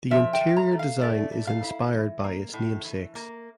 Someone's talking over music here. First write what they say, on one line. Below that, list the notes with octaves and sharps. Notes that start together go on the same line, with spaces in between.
The interior design is inspired by its namesakes.
F3 E5
G5
F3
A#5
A3
F5
A3 D5
A3
F5
E4
E3
A#3
A2
E3
A#3